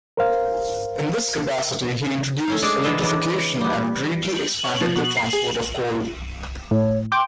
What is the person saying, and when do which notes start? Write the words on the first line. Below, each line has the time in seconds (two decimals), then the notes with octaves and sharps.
In this capacity he introduced electrification and greatly expanded the transport of coal.
0.17 A#4 C5 F5
2.48 A3 C#4 F5
2.62 G#3 A3 D4 G#4 D5
2.83 E3 G#3 F4 A4 E5
3.00 C#3 E3 G#3 B3 D4
3.61 G3 B3
4.23 F5 G5
4.64 C#5
4.81 F3
4.95 B2
5.17 C7
5.33 G#4
6.71 A2 C#5
7.12 G5 C6 D6